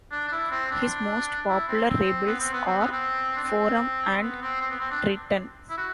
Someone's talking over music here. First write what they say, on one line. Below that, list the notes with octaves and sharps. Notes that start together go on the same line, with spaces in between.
His most popular labels are "Forum" and "Triton".
D4
D4
E4
C4
D4
E4
C4
C4
B3
C4
B3
C4
B3
C4
D4
C4
B3
C4
C4
B3
C4
D4
E4
F#4